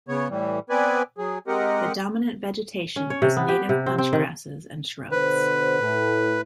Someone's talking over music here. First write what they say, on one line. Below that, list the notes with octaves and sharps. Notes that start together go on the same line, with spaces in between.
The dominant vegetation is native bunchgrasses and shrubs.
C#3 B3 C#5
A2 E3 G3
B3 C4 B4 D5 G#5
F#3 G#4
G#3 C4 G4 A#4 D#5 F#5
C#4
C#5
C3
B3
G4
C3
C4
C4
D#3
B2 D3 B4 C5
A2